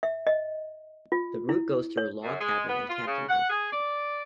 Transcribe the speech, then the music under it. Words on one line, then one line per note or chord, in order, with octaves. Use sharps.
The route goes through Log Cabin and Camptonville.
E5
D#5
F4
E4
C#5
F#2
G#3
B3
F4
C#3
F#5
G#4
D5